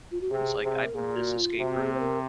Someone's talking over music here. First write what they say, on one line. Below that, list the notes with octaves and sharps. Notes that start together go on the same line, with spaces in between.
That's like, "I beat this escape room."
F4
F#4
C3 G#4
C3
A#4
A#2 G#4
F#4
F4
C3 F#4
G#4
C5
A#4